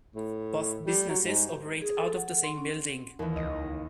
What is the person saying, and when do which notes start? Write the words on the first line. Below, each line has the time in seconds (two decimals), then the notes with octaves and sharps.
Both businesses operate out of the same building.
0.16 A2
0.87 G3
1.09 F#3
1.24 G#2
1.82 G#4
1.97 A4
2.17 F#5
2.44 C6
2.58 C#4
3.19 D#2 E3
3.36 C#2 D#5